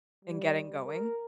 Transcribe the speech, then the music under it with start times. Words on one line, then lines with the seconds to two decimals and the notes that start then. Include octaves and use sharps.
and getting going.
0.25 G3
0.84 A#4